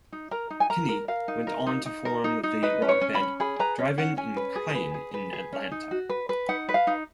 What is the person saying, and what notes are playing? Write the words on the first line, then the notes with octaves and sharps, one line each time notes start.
Kinney went on to form the rock band Drivin' N' Cryin' in Atlanta.
D#4
A#4 A#5
D#4
G#5
A#4 A#5
A#4
A#4 F5
D#4
A#4
D#4
D#4
A#4
D#4
D#4
B4 D#5
C#4
C#5
C#4
B5
C#4
G#4 B5
B4 A#5
C#4
C#4 F#5
C#4 G#5
B4
G#4
B4
G#4
B4
G#4
C#4
D#4
F#4
B4
B4
D#4 F#5
B4
F5
D#4